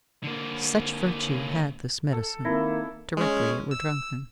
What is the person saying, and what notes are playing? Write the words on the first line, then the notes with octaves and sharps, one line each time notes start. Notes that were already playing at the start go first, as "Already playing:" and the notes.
Such virtue had this medicine, directly it were drunken.
D3 A#3
A4
D#3 A#3 C4 E4
G#3 C#4
E6